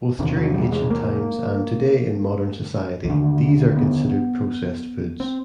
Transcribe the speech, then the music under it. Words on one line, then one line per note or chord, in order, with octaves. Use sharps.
Both during ancient times and today in modern society these are considered processed foods.
E2 C3 D#3
F#3
G3
G#3
A#3
D#2 D3
B3
C4